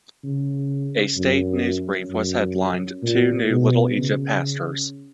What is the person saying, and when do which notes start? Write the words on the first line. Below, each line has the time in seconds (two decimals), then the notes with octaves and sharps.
A state news brief was headlined, Two New Little Egypt Pastors.
0.23 C#3
1.17 F#2
2.10 F#2
3.03 A#2
3.50 B2
3.97 C#3